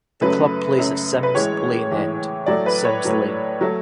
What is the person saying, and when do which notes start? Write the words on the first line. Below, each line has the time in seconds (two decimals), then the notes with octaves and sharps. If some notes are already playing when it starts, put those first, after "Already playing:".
The club plays at Simms Lane End, Simms Lane.
0.21 F#2 C#3 F#3 A3 B4
0.78 F#2 C#3 F#3 A3
1.23 B4
1.34 A2 E3 G#3 C#5
1.91 A2 E3 G#3
2.46 A2 F#3 A3 D5
2.66 B4
2.84 C#5
3.04 A2 F#3 A3
3.61 F#3 A3